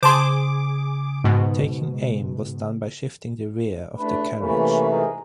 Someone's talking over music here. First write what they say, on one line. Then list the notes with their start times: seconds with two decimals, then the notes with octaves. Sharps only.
Taking aim was done by shifting the rear of the carriage.
0.03 C#3 G#4 C5 A5 C6 D6
1.24 G#2 B2
3.98 A1 E2 A3 D4 B4
4.39 C3 E3 A3 A#3 C#4 B4
4.90 G#2 G#4 A#4